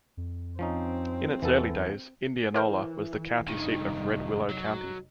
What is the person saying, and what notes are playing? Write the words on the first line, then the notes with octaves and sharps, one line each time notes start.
In its early days, Indianola was the county seat of Red Willow County.
F2
F3 C4 C#4 D#4
E2 E3 B3 A4
E3 E4 A#4 C5
F1 G2 D#3 D#4 D#7
F#3